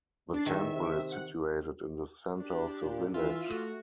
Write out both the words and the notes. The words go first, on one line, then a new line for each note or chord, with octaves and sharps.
The temple is situated in the centre of the village.
D4 A6 C7
E2 D#3 E5
C3
F#5
D4 G4
A#2
E3 F4 E5
A3 F#4